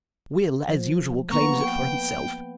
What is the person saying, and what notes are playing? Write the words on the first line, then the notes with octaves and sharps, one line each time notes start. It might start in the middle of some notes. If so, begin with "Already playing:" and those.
Will, as usual, claims it for himself.
F3
A#3 B3 A#5 C#6
G5